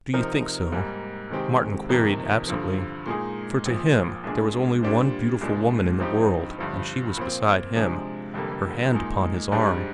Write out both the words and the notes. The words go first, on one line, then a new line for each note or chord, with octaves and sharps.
"Do you think so?" Martin queried absently, for to him there was only one beautiful woman in the world, and she was beside him, her hand upon his arm.
C3 F3 C4 D#4 A#4
G#2 G3 A#3
C3 D#3 G#3 C4 G4
F2 C3 D#3 A#3
G2 D3 F3
A#2 G#3 D#4 G#4
A#1 A#2 F3
C2 A#2 G#3 D4 G#4
A#2 G3 D4 G4 C5
C2 A#2 G#3 D4
G2 F3 C4 D#4 G4
G1 G2 F3
A#2 F3 C4
C3 F3 G#3 D4
F1 F2 D3 G3 A#3
A#2 G#3 D#4
G#2 G3 D4 G#4 C5